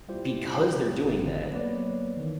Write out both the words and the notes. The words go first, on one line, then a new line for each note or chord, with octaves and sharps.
because they're doing that,
G3 E4 F4 G4 C5
G#1 D3 C4
F#3 A#3 B3 B4 C#5 D5
D#3 E3